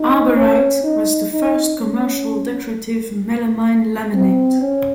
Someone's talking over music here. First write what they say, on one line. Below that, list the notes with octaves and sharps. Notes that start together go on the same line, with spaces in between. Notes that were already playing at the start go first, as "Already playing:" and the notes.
Arborite was the first commercial decorative melamine laminate.
Already playing: D#4
C#4
D#4
D#4
C#4
C4
C#4